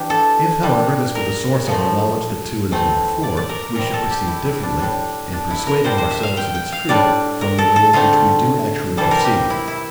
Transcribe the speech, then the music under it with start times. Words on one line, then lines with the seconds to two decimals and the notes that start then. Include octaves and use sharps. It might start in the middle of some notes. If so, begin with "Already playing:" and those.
If, however, this were the source of our knowledge that two and two are four, we should proceed differently, in persuading ourselves of its truth, from the way in which we do actually proceed.
Already playing: E3 D4 G4
0.10 A4
0.62 A#2 G3 D4
1.15 A#4
1.67 A#2 F3 A3
2.71 E3 A3 C4
3.23 D5
3.37 D5
3.49 A#4
3.63 A#4
3.76 A#2 G3 C4 A#4
3.94 A4
4.11 G4
4.27 E4
4.45 E4
4.63 D4
4.78 A2 G3 D4
5.33 D4
5.50 E4
5.67 A#4
5.84 A#2 G3 D4 C5
5.98 C5
6.11 E5
6.23 F5
6.37 G5
6.55 G5
6.72 F5
6.89 A2 G3 D4 D5
7.41 A#4
7.58 A4
7.76 A4
7.93 D3 A3 C4 F4
8.97 C3 E3 G3 A4
9.11 A#4
9.25 G4
9.50 E4
9.68 E4